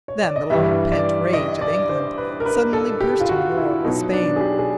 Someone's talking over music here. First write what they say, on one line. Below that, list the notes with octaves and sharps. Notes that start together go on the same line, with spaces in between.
Then the long-pent rage of England suddenly burst in war with Spain.
C#5
D5
D#5
G2 E3 G3 E5
D5
D#5
D5
C5
B4
A#4
B4
A4
G4
F4
F#4
E4
B2 F#3 D#4
D4
G#4
G4
G#4